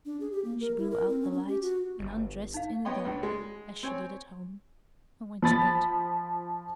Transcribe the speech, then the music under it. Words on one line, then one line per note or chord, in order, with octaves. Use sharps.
She blew out the light and undressed in the dark as she did at home and went to bed.
D4
G#4
G4
A#3
A#4
E4
A#4
C4
C#4
C#4
G4
F#4
G1
D#4 F5
B3 C#5 D#5 G5 C6
C#2 D4
G#3
C4 C#5 G#5
F3 B5 A6